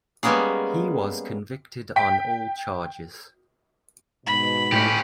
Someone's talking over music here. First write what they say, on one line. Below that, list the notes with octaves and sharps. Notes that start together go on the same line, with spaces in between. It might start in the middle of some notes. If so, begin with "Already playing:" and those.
He was convicted on all charges.
G3 G#3 A#3 B3 C#4 G#4
G5 B6 D7
G#2 B2 B5
A2 C#4 G4